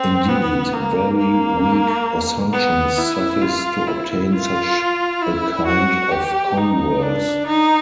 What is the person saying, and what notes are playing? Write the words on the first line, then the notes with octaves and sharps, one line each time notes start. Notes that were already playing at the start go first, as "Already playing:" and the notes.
Indeed, very weak assumptions suffice to obtain such a kind of converse.
Already playing: C4
B3
A#3
A#3
B3
E4
F4
E4
F4
E4
F#4
G4
D#4
D4
D#4